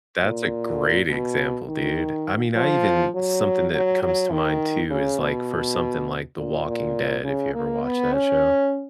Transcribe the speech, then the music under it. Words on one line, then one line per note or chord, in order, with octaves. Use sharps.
That's a great example, dude, I mean, I even something that comes to mind too is, like, for something like The Walking Dead, if you ever watch that show
A#2
B2
D#3
F3
F#3
F#3
F#3
D#3
C#3
B2
A#2
A#2
C#3
A#3
B3
C#4